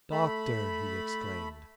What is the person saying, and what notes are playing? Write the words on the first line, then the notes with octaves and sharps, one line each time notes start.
"Doctor!" he exclaimed.
A3 B5